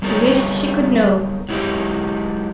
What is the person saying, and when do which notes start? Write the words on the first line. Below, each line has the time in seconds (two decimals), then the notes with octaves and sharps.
She wished she could know.
0.02 G3 B3 D#4 A4 A#4 C#5
1.49 F#3 G#3 E4 G4 D#5